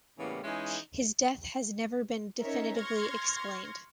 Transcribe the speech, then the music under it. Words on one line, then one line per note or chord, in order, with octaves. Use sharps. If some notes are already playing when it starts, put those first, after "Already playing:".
His death has never been definitively explained.
A2 C#3 E3 G3 A#3 B3
E3 G#3 C#4 D#4 G#4 E5
C#4 D#4 A#4 C#5 E5
C6 C#6 F6 G#6 A#6